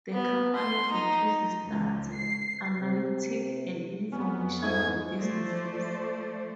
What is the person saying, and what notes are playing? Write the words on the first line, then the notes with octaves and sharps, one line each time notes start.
The company produces data, analytics and information for businesses.
B3
C6
D#4
C#2
C7
C3
F2 B3 C#4
G#2 F3 A3 D#4 G#4 D#6 G#6
F3 A3 C5 D5